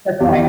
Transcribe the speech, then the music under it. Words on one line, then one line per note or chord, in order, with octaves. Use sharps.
That's right.
E2 G4